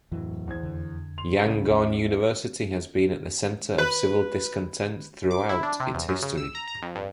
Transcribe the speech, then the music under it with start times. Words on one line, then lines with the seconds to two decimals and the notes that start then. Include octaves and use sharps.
Yangon University has been at the centre of civil discontent throughout its history.
0.12 D1 F2 E3 F#3
0.47 E2 C5 G#6
0.63 F2 D3
1.18 C6 F7
1.42 C#2 C#3
1.70 D#2 C#4 E5
3.78 B4
5.31 D6
5.49 E4
5.63 D4
5.80 C3
5.94 E2
6.09 F#2
6.22 C#3
6.37 E6
6.55 A#5
6.68 A#5
6.82 F2
6.95 G2